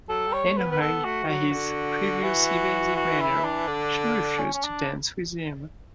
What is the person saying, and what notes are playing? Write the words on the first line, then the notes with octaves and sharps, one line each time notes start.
Annoyed at his previous evasive maneuver, she refuses to dance with him.
F#3 A4
G3
C#5
A3
B4
B3
B4
B3 A4
A3 F#4
E3
F#3 F#4
D3
E3
F#4
E4
D4
D3
C#4
C#4
D4